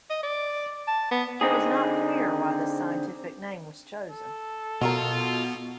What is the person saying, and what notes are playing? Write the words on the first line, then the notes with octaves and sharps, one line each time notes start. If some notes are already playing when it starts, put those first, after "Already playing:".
It was not clear why this scientific name was chosen.
D#5
D5
A5
B3
D3 C4 D#4 G#4
A4
B2 F#3 F4 F#4 A#4